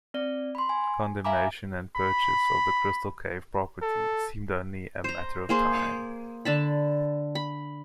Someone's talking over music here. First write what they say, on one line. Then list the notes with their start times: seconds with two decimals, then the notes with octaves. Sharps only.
Condemnation and purchase of the Crystal Cave property seemed only a matter of time.
0.14 C4 D5
0.55 B5 C6
0.69 G#5
1.24 E5 F5 G#5 A#5 B5 D6
1.96 B5
3.82 A4
5.04 C5 A#5
5.49 A#3 G#4 C5
6.45 D3 A5 B5
7.35 B5